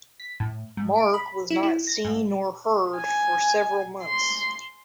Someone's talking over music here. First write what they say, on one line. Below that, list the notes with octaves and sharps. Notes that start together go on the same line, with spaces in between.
Mark was not seen nor heard from for several months.
B6
A2
G#2
D7
B5
E4
E4
A#6
G#2
G#5
C6